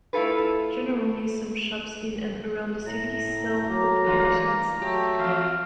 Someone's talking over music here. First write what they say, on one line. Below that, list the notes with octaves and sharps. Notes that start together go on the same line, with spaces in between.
Generally some shops in and around the city sell both editions.
A3 E4 F4 A4 B4
A2 A#5
F#3 A#3
G2 E3 F4
F#3 A3 G4
E2 F3 F5